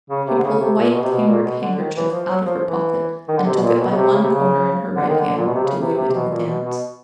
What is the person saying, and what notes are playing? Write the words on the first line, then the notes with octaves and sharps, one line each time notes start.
She pulled a white cambric handkerchief out of her pocket, and took it by one corner in her right hand, to wave it in the dance.
C#3
C3
D3
C#3
C3
A#2
B2
C3
B2
A#2
B2
D3
D#3
E3
F3
F#3
F3
E3
D#3
D3
C3
B2
A#2
B2
C#3
C3
C#3
C3
C#3
D3
D#3
D3
A#2
B2
C3
C#3
C3
C3
C3
B2
A#2
B2
B2